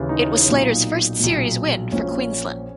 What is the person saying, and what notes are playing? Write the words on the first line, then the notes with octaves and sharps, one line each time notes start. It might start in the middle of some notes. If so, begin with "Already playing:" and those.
It was Slater's first series win for Queensland.
Already playing: D#2 C#3 E3
D#4
B1 A#2
B1 A#2
A#1 A#2 C#4